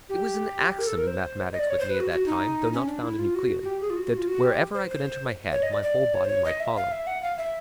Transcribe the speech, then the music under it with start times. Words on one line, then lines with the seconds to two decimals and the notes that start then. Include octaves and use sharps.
It was an axiom in mathematics with me at that time, though not found in Euclid, that wherever I could enter my head, my whole body might follow.
0.09 G4
0.79 A#4
0.87 A4
0.97 A#4
1.07 C5
1.53 D#5
1.59 D5
1.70 C#5
1.79 C5
1.90 B4
2.00 F#4
2.11 F#4
2.26 D#4
2.73 C#4
2.88 D4
3.03 E4
3.19 F4
3.35 F#4
3.62 F#4
3.66 G4
3.81 G#4
3.90 F4
3.97 F#4
4.07 F#4
4.18 F4
4.28 F#4
4.44 G4
4.74 C5
4.90 C5
5.52 C#5
5.63 D#5
5.73 D5
5.83 D5
6.14 C#5
6.24 C5
6.29 C#5
6.45 D#5
6.60 E5
6.76 F5
6.92 E5
7.07 F#5
7.23 F5
7.38 E5